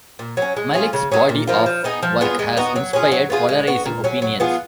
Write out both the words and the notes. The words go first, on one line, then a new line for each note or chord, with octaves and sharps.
Malick's body of work has inspired polarizing opinions.
A#2
F#3 C#4
G#3
C#4 F4 G#4
C#3
F#3 C#4 G#4
A#2
F3 A#3 F4
F3
B3 D#4 G#4
F3
B3 F4 G#4
G#3
B3 D#4 F#4
F#3
C#4 F4 G#4
F#3
B3 F4 G#4
G#3
B3 F#4
A#2
F#3 C#4
F#3
B3 F4 G#4